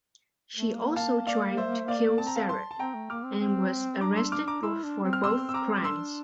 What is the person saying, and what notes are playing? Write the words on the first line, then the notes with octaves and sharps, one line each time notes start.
She also tried to kill Sarah and was arrested for both crimes.
A3
A#3
F5 A5
D5 F5
C5 E5
D5 F5
C4 A5
A#5
F5 A5
A5 C6
A5
C4 G5 A#5
A3
A#3 D6 F6
C4
C4
D4 A#5 D6
C6 E6
D6 F6
A#5 D6
E4 C6 E6
D4
C4
F6
C4 C6 E6
E6
A#5 D6
D6
D4 C6 E6